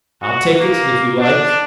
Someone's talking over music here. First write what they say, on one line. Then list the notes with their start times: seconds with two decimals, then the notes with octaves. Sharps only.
"I'll take it, if you like."
0.22 F#4
0.60 A#3
1.20 D4